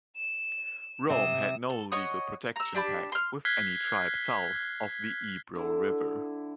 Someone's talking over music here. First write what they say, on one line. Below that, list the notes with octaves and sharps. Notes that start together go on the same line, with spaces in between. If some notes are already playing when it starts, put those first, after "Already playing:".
Rome had no legal protection pact with any tribe south of the Ebro River.
E7
C3 D#6 E7
A4
C#5 D#5 F#5 D#6
A#5 E6
D4 G4 A5 B5
C6 F6
F6 F#6 G#6 B6 C7 G7
D3 E4